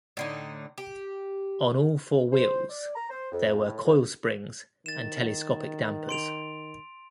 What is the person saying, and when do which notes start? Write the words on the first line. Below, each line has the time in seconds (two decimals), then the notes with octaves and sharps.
On all four wheels there were coil springs and telescopic dampers.
0.17 A2 D3 D#4
0.78 G4
2.32 C5
2.69 D5
2.95 A#5
3.10 C5
3.31 F2
3.66 A2
3.84 F2
4.86 D#3 A6 E7
6.09 C6 D7 F7